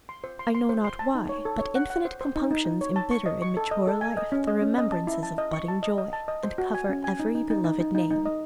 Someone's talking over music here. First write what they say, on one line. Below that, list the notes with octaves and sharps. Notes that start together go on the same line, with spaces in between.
I know not why, but infinite compunctions embitter in mature life the remembrances of budding joy and cover every beloved name.
C6
C5
C6
C6
C5
C6
A5
D#4
C#5
A4
C#5
F#5
F#5
C5
C5
D#4
D#4
D#4
C#5
A5
C#6
D#5
C#6
A4
D#5
A4
G#5
D#5
C#4
D#5
C#4
D#5
A5
E4
A5
D#5
C#6
A5
D#5
D#5
A5
D#5
C5
F#4
G#5
C#4
G#5
D#4
D#4
D#4
D#4
D#4
D#4
D#4
D#5